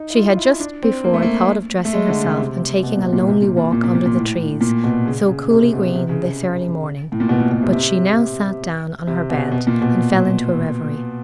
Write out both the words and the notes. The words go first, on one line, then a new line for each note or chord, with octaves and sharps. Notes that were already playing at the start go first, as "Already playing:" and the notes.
She had just before thought of dressing herself and taking a lonely walk under the trees, so coolly green this early morning; but she now sat down on her bed and fell into reverie.
Already playing: D#4
E4
F4
E4
D4
C4
A#3
A3
A#3
A3
G#3
D3
C#3
C3
B2
A#2
A#2
C3
A#2
A#2
A#2
A#2
A#2
A#2
A2
A#2
B2
C#3
C#3
C3
B2
C3
C#3
C#3
A2
A#2
B2
A#2
B2
C3
C3
C3
B2
B2
A#2
B2